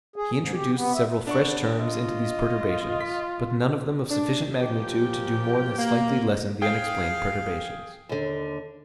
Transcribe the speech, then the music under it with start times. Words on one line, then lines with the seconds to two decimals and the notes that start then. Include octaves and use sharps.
He introduced several fresh terms into these perturbations, but none of them of sufficient magnitude to do more than slightly lessen the unexplained perturbations.
0.16 G#4
0.36 G#2
0.53 G4
0.76 B3
0.94 E5
1.27 B3 D4 D5 C#6
1.80 F4 D#5
3.01 B6
4.10 D4
4.60 A#2 F3 G4
5.77 A#3
6.62 G#4 F5 G5
8.09 D#2 D3